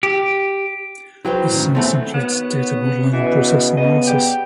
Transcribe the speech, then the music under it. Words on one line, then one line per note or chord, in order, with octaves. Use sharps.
This sense includes data modeling and process analysis.
G4
F#3 E4 B4 C5 G5
A2 D#3 C#4
E3 A3 B3 C4 C#5 F#5
D#3 B3 F#4 C#5
C#3
B2 E3
B3 D#5
G3 G4